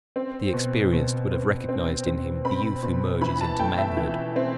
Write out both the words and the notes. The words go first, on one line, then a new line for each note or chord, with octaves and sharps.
The experienced would have recognized in him the youth who merges into manhood.
C4
B2
B2
C4
C4
C4
C4 B5
B2
E3 B5
A5
A3 G5
E5
E3
C4